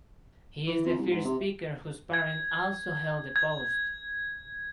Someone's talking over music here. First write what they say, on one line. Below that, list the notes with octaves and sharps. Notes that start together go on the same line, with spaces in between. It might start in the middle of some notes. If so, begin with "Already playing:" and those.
He is the first speaker whose parent also held the post.
E3
F2
C2
G#2
C3
G#6
G#6